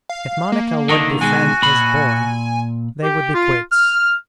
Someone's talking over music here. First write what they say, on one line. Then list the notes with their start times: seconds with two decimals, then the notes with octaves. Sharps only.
If Monica would befriend his boy, they would be quits.
0.09 F5
0.52 A#3
0.89 D3 D#3 A#3 D4 D#5
1.21 B2 D#3 G#3 F#4 G#5
1.62 A#2 B5
3.03 G4
3.34 F4
3.72 F6